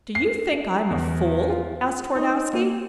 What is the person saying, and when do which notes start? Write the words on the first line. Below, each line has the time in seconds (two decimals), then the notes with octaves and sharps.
"Do you think I am a fool?" asked Twardowski.
0.15 C7
0.90 E2
1.50 F4
2.16 D#4
2.53 A#3